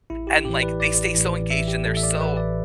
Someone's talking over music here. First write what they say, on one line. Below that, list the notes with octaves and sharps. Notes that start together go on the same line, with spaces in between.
and, like, they stay so, engaged and they're so,
A1 E4
G4
A2 E3 G4
D5
B4
A1 D5
A2 E3
A1 E5
G4
A2 E3 A4
E5
D5
A1 B4
D5